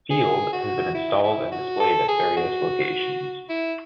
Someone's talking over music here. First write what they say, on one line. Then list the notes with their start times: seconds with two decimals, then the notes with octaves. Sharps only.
"Field" has been installed and displayed at various locations.
0.11 G#4
0.53 F#4
0.95 E4
1.23 E4
1.52 F#4
1.80 A4
2.08 G#4
2.37 F#4
3.49 E4